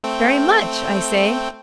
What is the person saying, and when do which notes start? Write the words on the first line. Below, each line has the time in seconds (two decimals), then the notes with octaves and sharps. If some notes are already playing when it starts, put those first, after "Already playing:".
"Very much," I say.
0.04 A3 C4 G5